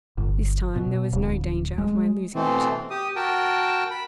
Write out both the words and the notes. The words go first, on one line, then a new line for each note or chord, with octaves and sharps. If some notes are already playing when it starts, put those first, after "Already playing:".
This time there was no danger of my losing it.
G1
B2
D1
G#3
B2 E3 A3 C4
G4 D#6
F#4 A#4 G5 A5
B5